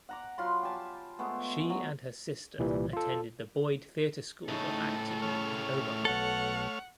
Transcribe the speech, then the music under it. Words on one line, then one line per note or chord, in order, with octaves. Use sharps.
She and her sister attended the Boyd Theater School of Acting in Omaha.
F#5 A#5 D6
F#3 F4 B5 C6
G4 G#5 A5
G#3 A3 B3 G#4
F#3 A3
C2 A#2 E3 G3
F4 A4
A2 C#3 A3 D#4 A4
A3 C#5 F6
B1 A4 F#5